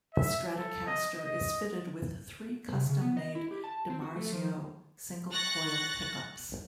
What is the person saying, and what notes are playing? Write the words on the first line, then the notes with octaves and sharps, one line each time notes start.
The Stratocaster is fitted with three custom made DiMarzio single coil pickups.
E5
A4
D#5
D#5
C3
C#3
B3
D#5
E4
G4
A5
C4
F#4
A3
F3
C#6 F#6 A6 A#6